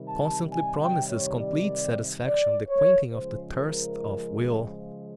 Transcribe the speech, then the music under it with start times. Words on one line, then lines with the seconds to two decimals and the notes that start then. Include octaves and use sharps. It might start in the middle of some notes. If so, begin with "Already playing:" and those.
It constantly promises complete satisfaction, the quenching of the thirst of will.
Already playing: C3 D#3 G3
0.08 A5
0.52 G#5
0.81 G5
1.10 C#5
1.39 D5
2.25 D5
2.68 C#5
3.12 C#3 F3 G#3 C5
3.55 A#4